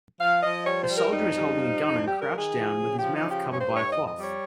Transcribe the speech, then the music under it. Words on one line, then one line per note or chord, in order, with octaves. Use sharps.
A soldier is holding a gun and crouched down with is mouth covered by a cloth.
F3 F5
F3 D#5
G3 C#5
C5
G3
A#4
F2 D#4
G3
F3
F2
G3 G4
A#4
D#3
G#4
F3
C#3
F3 G4
D#4
C#3
G4
G2
C#5
C5
G2
C#5
F2 D#5
D#5
G3
C#5